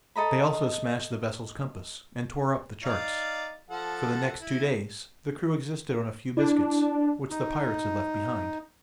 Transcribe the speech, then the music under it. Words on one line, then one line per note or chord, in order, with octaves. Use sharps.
They also smashed the vessel's compass, and tore up the charts. For the next two days the crew existed on a few biscuits, which the pirates had left behind.
A4 D#5 A#5 B5
D#4 D5 F5
F3 A4 F#5
E4
D4 E4
D#4